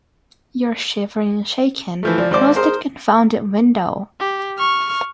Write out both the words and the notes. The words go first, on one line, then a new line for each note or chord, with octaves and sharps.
You’re shivering and shaking; close that confounded window!
E3 F3 A3
F3 D5
G#1 C5 D5 D6
G#4 A#4 C5 C6
G4
C#6 F6